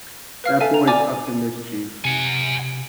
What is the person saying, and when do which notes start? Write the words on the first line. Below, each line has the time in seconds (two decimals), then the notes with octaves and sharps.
That boy is up to mischief.
0.44 B4 F5 F6
0.61 A4 E5 F5 G#5
0.74 A#5
0.87 D5 G#5 A#5 D6
2.05 C3 F#5 G#5